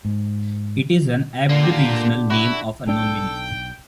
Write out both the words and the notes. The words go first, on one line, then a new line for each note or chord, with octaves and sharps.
It is an Aboriginal name of unknown meaning.
G#2
D3 A#3 F4
G4
E4 F#4
B1 D4 A4 G5